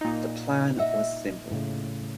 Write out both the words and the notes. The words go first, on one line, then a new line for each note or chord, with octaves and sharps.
The plan was simple.
A#2 D#4
D#5 E5 F#5
A2 C#3